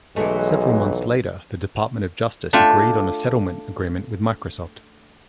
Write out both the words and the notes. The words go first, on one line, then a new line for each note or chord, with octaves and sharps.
Several months later the Department of Justice agreed on a settlement agreement with Microsoft.
B1 E3 F#3 G#3 A3
A3 D4 F4 G5